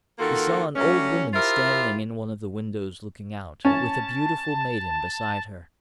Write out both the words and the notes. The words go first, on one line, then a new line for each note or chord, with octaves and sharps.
He saw an Old Woman standing in one of the windows looking out, with a beautiful Maiden beside her.
D#3 A#3 F4 F#4 A4
F#3 G3 A3 C#4
E4 F4 G4 A#4 C5 E5
C#4 A5